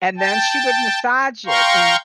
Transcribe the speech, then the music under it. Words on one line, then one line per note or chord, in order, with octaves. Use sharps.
and then she would massage it, and,
G5 A5
F5 G5 A#5 C6 C#6